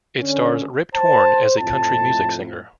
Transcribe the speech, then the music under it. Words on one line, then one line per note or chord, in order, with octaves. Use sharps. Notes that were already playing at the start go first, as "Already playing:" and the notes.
It stars Rip Torn as a country music singer.
D3 C#4
C5 A5
F2 A2 A5